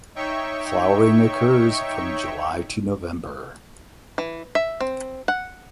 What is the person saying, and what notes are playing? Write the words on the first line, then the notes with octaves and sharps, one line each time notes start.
Flowering occurs from July to November.
D#4 C#5 E5 G5 C#6
E3
E5
C4
F#5